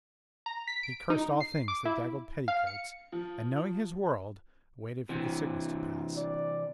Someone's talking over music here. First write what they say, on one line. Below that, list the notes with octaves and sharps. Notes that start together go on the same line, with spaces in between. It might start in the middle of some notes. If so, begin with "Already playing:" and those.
He cursed all things that daggled petticoats, and, knowing his world, waited for the sickness to pass.
A#5
B6
D7
D#4
C7
D6
E4
F5
C#7
F3
C3 E3
D5